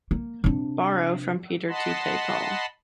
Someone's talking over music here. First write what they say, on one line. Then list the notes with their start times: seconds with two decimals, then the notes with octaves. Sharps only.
Borrow from Peter to pay Paul.
0.11 A#3
0.44 C3 D4
1.68 D#5 F#5 A5 B5 C6